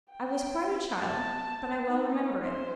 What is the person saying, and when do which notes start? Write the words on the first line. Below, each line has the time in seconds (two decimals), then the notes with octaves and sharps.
I was quite a child, but I well remember it.
0.12 G5
1.02 A5
1.89 D#4
2.43 C5